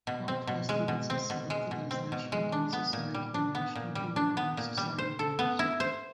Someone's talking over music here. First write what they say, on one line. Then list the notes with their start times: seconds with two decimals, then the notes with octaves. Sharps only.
Qualified students are selected as National Honor Society and National Junior Honor Society members.
0.07 B2
0.28 C4
0.47 B2
0.69 G#3
0.88 B2
1.10 C4
1.30 B2
1.50 G#3
1.71 B2
1.91 C4
2.12 B2
2.32 G#3
2.52 D4
2.73 B3
2.93 A#2
3.14 G3
3.34 D4
3.55 B3
3.75 A#2
3.95 G3
4.16 D4
4.37 B3
4.57 A#2
4.78 G3
4.98 C5
5.19 A4
5.39 B3
5.59 E4
5.80 C5